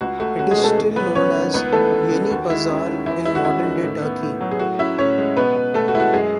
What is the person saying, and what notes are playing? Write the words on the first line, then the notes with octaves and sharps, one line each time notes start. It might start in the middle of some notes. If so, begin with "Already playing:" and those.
It is still known as "Yeni Pazar" in modern-day Turkey.
C#2 F#4
A3 F#4
C#4 F#4
G#3 G#4
B2
A3 A4
E2
F#3 B3 B4
E2 C#4 C#5
D#3
C#2 B3 B4
E3 A3 A4
A3
C#3
D#2 F#4
G#3 E4
C#4
D#3
E2 E4
G#3 E4
F#4
C#4 E4
D#3
A2
B3
A2
F#3
G#4
A2 F#4
C#4 E4 E5
A2 C#4 C#5
G#3
B2 B3 B4
B3
B2 A3 A4
F#4
G#3 E4
F#4
F#2 G#3 G#4